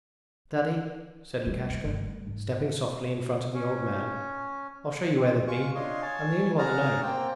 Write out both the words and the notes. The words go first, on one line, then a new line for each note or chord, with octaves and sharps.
Daddy,' said Lukashka, stepping softly in front of the old man; 'I'll show you where they've been--I'm the only one that knows.
G3
A3
G1
G3
G#2
C#4
C4
G#3 F4 C#6
D4 F4 C#5 D#5 C6
C#5 G#5 A5
F#4 G#4 A5 A#5 D#6 F6
A#3 C4 G5